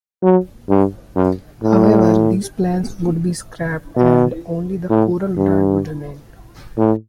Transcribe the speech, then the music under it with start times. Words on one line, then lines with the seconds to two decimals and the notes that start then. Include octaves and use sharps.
However, these plans would be scrapped, and only the Corel brand would remain.
0.23 F#3
0.69 G2
1.16 F#2
1.63 A2
3.96 B2
4.90 A2
5.37 G2
6.78 A2